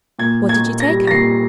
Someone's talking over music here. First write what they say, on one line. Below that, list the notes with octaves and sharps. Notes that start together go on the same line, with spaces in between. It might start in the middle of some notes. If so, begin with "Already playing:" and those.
'What did you take her?'
A#2 G#6
A#2
G#6
A#2
A#6
G3
A#6
A#2 C7